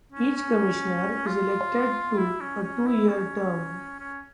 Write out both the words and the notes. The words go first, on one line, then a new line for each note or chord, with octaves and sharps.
Each Commissioner is elected to a two-year term.
C#4
C#4
F4
E4
C#4
C#4
E4
C#4
C#4